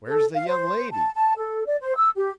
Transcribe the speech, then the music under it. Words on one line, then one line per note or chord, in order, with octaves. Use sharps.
"Where's the young lady?"
A4
F5
C5
A5
A5
A4
D5
C5
E6
G4